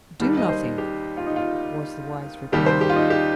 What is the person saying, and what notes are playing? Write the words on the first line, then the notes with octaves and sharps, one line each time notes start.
"Do nothing," was the wise reply.
D#2 D#3 G3
D#5
C5
G4
F4
D#4
F4
D#2 D#3 G3 G4
C5
G4
F4
D#4
G4